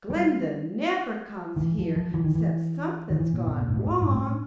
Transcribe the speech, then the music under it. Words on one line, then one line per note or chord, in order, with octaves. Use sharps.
"Glinda never comes here 'cept something's gone wrong."
G3
D#3
E3
F3
F3
E3
D#3
E3
D#3
E3
A#2
B2
A#2
G#2
A2
A2
G2
A2